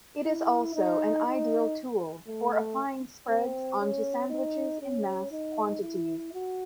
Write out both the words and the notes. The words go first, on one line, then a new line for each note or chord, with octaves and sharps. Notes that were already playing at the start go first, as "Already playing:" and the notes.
It is also an ideal tool for applying spreads onto sandwiches in mass quantities.
E4
D#4
D#4
A3
C4
C#4
D#4
C#4
D#4
E4
F#4